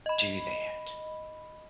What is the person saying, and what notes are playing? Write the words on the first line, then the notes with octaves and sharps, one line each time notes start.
do that
D#5 B5